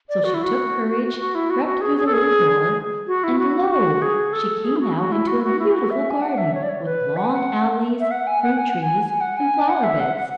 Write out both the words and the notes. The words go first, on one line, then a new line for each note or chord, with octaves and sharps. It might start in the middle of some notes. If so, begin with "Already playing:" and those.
So she took courage, crept through the little door, and lo! she came out into a beautiful garden, with long alleys, fruit-trees, and flower-beds.
D5
F#4
E4
F#4
F#4
F#4
F#4
E4
F#4
F#4
G#4
G#4
A4
G#4
F#4
E4
F#4
F#4
G#4
A4
G#4
E4
F#4
F#4
E4
F#4
F#4
E4
F#4
E5
G#5
F#5
E5
C#5
D5
C#5
B4
F#5
G#5
F#5
E5
F#5
G#5
F#5
G#5
F#5
G#5
G#5
F#5
G#5
F#5
E5
F#5
F#5